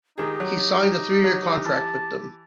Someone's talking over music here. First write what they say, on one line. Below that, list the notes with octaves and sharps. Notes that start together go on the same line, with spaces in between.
He signed a three-year contract with them.
D#3 D#4 G4 G#4
F#3
F#3
E3 A5